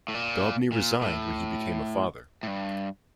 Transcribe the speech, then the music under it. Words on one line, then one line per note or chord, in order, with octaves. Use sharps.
Daubney resigned when he became a father.
A2
A#2
A#2
A2
A2
G2